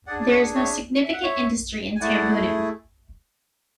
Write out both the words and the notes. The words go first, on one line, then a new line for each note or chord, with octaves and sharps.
There is no significant industry in Tambunan.
D4 G#4 D5 F#5
D5
C#5 E5
C#5 E5
E5
F#5
C#5 E5
G#5
A3 E4 G#4 D5 F#5